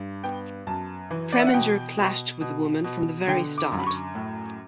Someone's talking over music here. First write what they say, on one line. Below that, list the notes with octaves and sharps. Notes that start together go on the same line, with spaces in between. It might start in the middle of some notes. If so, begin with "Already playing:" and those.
Preminger clashed with the woman from the very start.
Already playing: G2
B3 G5
F#2 A5
E3
D5
E5
F#5
B2 G5
B2
B2
B2
D3 G5
D6
F#2
B5
C#6
A2